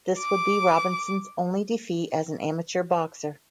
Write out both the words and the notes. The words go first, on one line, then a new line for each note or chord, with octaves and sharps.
This would be Robinson's only defeat as an amateur boxer.
D6